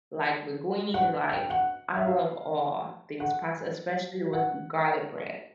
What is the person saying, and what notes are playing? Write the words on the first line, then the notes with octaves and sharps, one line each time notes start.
like, linguine. Like, I love all things pasta, especially with garlic bread.
F#5
G5
F#5
E5
F5
F#5
F#5